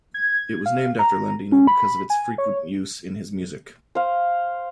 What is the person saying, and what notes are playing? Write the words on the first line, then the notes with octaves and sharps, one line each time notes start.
It was named after Landini because of its frequent use in his music.
G#6
F5
A#5
C#4
B5
G#5
C#5
C5 F5